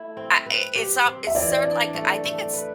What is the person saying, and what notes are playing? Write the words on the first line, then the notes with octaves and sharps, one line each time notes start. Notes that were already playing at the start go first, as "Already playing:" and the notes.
I i it's so it's sorta like, I think it's
Already playing: A3 E4
C4
B4
G4
C4
E5
E3 D5
D4
A3
A3
B4